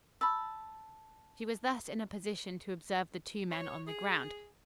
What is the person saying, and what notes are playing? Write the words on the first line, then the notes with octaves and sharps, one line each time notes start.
She was thus in a position to observe the two men on the ground.
A5 B5 E6
C#5
G#4